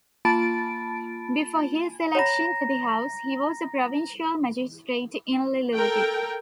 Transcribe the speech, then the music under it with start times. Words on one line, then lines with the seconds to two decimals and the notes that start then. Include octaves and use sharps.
Before his election to the House, he was a provincial magistrate in Lillooet.
0.25 A#3 F4 A5 B5 A6 D7
2.15 C#5 F#5 A#5 B5 A#6
5.75 A4 A#4 G5